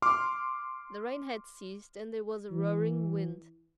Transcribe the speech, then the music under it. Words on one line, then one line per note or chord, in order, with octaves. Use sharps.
The rain had ceased and there was a roaring wind.
C6 D6 F6
E3